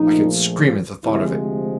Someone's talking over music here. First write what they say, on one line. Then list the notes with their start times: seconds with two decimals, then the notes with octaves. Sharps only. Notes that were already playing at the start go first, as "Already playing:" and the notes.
I could scream at the thought of it.
Already playing: A#1 A#2 F3 A3 D#4
1.04 D2 C3 F3 G#3 E4